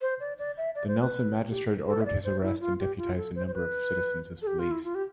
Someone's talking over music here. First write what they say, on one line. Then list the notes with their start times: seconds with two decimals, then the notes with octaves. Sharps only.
The Nelson magistrate ordered his arrest and deputised a number of citizens as police.
0.02 C5
0.20 D5
0.39 D5
0.57 E5
0.75 D5
0.88 C5
1.00 B4
1.50 G4
1.87 A4
2.01 E5
2.06 D5
2.24 C5
2.42 E4
2.61 F4
2.80 G4
2.98 F4
3.17 A4
3.35 C5
3.47 C5
3.54 B4
4.42 A4
4.47 G4
4.59 F4
4.71 E4
4.84 F4
4.95 G4